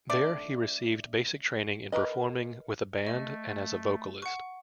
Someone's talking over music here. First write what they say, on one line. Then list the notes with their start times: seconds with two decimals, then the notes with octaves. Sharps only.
There, he received basic training in performing with a band and as a vocalist.
0.10 A3 D4 D5
1.92 A#4 B4 D#5
3.07 A3 D#5
4.22 F#5 C#6